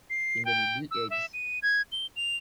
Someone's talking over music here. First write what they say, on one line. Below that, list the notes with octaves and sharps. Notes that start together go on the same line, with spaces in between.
In the Middle Ages.
C7
G5
E6
E5
D#7
G#6
G7
F7